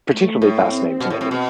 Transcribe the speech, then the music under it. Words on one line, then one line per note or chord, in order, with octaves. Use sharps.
particularly fascinating to me.
A3
A2
C4
B2
A2
A2
B2